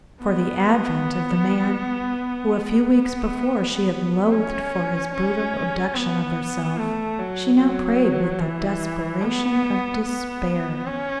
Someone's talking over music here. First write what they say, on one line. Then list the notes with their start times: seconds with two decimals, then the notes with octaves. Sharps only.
For the advent of the man who a few weeks before she had loathed for his brutal abduction of herself she now prayed with the desperation of despair.
0.22 B3
2.68 B3
4.31 C#4
5.14 C#4
5.95 B3
6.78 A3
7.19 F#3
7.59 F#3
8.41 E3
9.22 B3
10.04 B3
10.86 C#4